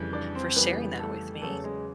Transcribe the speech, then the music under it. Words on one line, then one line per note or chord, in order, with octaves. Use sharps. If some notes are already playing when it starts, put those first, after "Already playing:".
for sharing that with me.
Already playing: F2 C#3 E3 G3
D4 D5
C4 C5
F2 C#3 E3 G3 B3 B4
A3 A4
E2 C#3 F#3 A3 A4
G#3 G#4